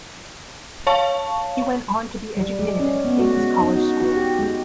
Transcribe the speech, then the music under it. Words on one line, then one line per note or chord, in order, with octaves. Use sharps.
He went on to be educated at King's College School.
C#5 F5 A5 C#6
G3
G#3
C#4
B3
F#4
G#3
D#4
F#4
F#4
G4
G#3